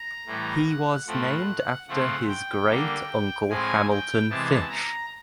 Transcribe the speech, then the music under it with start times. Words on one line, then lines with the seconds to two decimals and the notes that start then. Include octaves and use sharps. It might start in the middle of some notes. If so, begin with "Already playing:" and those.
He was named after his great uncle Hamilton Fish.
Already playing: A#5
0.27 A2 E3 G3 B3
0.66 F#5
1.06 A2 F3 A3 C4 F#5
1.87 C#3 F3 A3 C4 F#5
2.28 G5
2.68 D3 G3 A#3
3.49 A2 F3 G#3 C4 G#5
3.90 G5
4.29 C3 E3 G#3 B3 A5
4.70 A#5